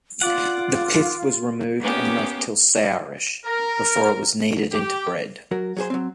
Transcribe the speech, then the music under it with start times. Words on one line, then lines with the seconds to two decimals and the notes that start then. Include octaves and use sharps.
The pith was removed and left till sourish, before it was kneaded into bread.
0.22 F4 D5 F#5
1.81 A#3 B3 C#4 G4
3.44 A#4
4.72 G4
5.51 F#3 F#4 A#4
5.77 F#3 G#4 C5
5.90 F#3 C4